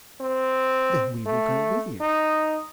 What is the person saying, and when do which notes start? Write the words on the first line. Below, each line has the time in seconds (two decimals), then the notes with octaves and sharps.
"Then we will go with you."
0.20 C4
1.26 A3
2.01 D#4